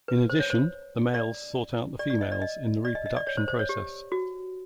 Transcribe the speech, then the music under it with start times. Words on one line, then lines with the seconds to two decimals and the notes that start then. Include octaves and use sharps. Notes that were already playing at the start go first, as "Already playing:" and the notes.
In addition, the males sought out the females in the reproduction process.
0.08 B4
0.30 C5
0.40 C#5
0.50 C5
1.14 D5
1.99 D5
2.10 D5
2.21 D#5
2.32 D5
2.42 D#5
2.85 D5
2.95 D#5
3.06 D#5
3.16 D5
3.27 C#5
3.37 C5
3.48 C5
3.59 C#5
3.69 G4
4.12 F#4